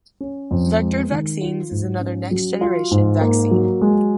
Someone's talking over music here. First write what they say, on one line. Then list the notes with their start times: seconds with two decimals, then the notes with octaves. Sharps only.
Vectored vaccines is another next generation vaccine.
0.21 C#4
0.51 F2
0.80 G#3
1.11 D#3
1.41 F4
1.71 G#2
2.01 C#4
2.31 F#3
2.61 F4
2.91 G#2
3.21 A#3
3.51 F#3
3.81 G#3